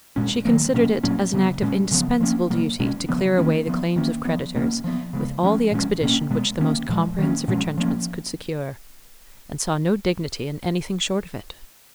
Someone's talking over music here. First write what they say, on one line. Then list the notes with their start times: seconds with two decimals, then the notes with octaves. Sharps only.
She considered it as an act of indispensable duty to clear away the claims of creditors with all the expedition which the most comprehensive retrenchments could secure, and saw no dignity in anything short of it.
0.16 A#2 G#3 C#4
0.45 D#3 F#3 A#3
0.74 B2 F#3 A#3 C#4
1.04 A#2 F#3 A#3 C#4
1.33 C#3 F#3 B3
1.62 A#2 G#3 C#4
1.91 C#3 F3 B3
2.21 F3 A#3 C#4
2.50 B2 F#3 A#3
2.80 B2 G#3 C#4
3.09 C#3 F3 B3
3.38 D#3 A#3 C#4
3.67 F3 B3
3.96 D#3 A#3 C#4
4.25 F3 B3
4.55 B2 A#3 C#4
4.84 F3 B3
5.13 C#3 G#3 B3
5.43 F3 G#3 C#4
5.72 A#2 F3 G#3 C#4
6.02 B2 A#3 C#4
6.30 B2 G#3 B3
6.60 D#3 A#3 C#4
6.89 A#2 F3 G#3
7.18 D#3 A#3 C#4
7.48 A#2 F3 G#3 C#4
7.78 F3 A#3 C#4